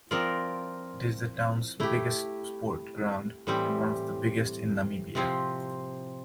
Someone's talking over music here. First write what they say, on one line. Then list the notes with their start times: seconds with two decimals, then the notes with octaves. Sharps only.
It is the towns biggest sport ground and one of the biggest in Namibia.
0.11 F3 C4 F4 A#4 D5
1.80 A3 E4 G4
3.47 A2 E3 G3 C4 G4
5.15 C3 F3 C4